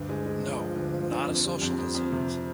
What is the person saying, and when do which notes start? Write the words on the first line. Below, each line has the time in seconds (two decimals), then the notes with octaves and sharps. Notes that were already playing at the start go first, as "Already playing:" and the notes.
No, not a social disease.
Already playing: D2 G2
0.09 G#3
0.26 G#3
0.42 F3
0.60 F3
0.76 D2
0.93 F3
1.11 D3
1.27 F2
1.45 G3
1.61 F2
1.79 F2
1.95 F2
2.12 C3